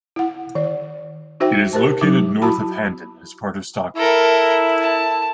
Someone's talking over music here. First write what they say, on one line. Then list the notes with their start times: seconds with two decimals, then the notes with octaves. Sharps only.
It is located north of Handen and is part of Stockholm.
0.16 E4 F#5
0.55 D#3 D5
1.40 D#4 F#4 C5 E5 G5
1.73 G4 A#4 C5 A5
2.01 F#3 D#4 D6
2.42 E4 F#4 A5 B5
3.96 E4 A4 A#4
4.80 A5